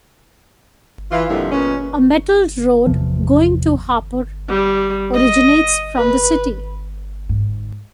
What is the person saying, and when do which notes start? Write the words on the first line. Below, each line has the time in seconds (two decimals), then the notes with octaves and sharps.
A metalled road, going to Hapur, originates from the city.
1.12 E3 F4
1.29 F2 A#2 D3 F3 G3 E4
1.52 A#2 G#3 B3 C#4
2.87 E2 C3 F3
4.49 G3
5.14 D#5
5.96 B4
7.29 G#2